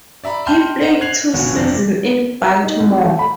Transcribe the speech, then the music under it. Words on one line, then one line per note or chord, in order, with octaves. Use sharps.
He played two seasons in Baltimore.
D5 E5 A#5 B5
G5 A5 C6 F6 G6
C5 F#5
F#6 G#6 C7 F7 F#7
G1 B2 C#4 F#5
G1 F2 C3 D4 A#6
D#4
C2
A3
B5